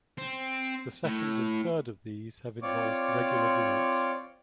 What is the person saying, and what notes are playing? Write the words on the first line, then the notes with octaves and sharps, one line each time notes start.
The second and third of these have involved regular visits.
C4
A2
C4 F4 C#5 D5 C#6 D6